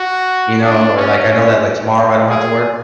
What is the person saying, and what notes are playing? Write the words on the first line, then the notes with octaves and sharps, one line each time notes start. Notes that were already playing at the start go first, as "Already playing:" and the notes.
you know? Or, like, I know that, like, tomorrow I don't have to work,
Already playing: F#4
D4
C#4
C#4
G#4